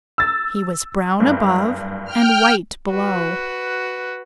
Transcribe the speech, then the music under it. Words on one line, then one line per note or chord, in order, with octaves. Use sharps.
He was brown above and white below.
E6 A6
F#1 G2
G5 F6
F#4 B4